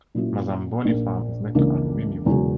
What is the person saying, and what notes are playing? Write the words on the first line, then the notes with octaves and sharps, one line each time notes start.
Mazamboni Farm is next to Aruwimi Wood.
A#2 F#3 C#4 E4
A#1 A#2 A#3
C#2 C#3 E3 A#3 D4
E1 E2 C#3 F#3